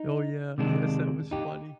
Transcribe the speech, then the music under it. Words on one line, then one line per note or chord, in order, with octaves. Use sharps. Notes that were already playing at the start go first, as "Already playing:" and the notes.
Oh, yeah, yes, that was funny.
Already playing: D#4
C3 D#3 G#3 D4
D#4 G4